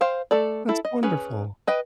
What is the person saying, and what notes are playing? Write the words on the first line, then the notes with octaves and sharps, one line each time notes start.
That's wonderful.
C5 F5 G5
A3 A4 D5
E4 A4
D#5
C#4 G#4 B4
B4 D#5 G5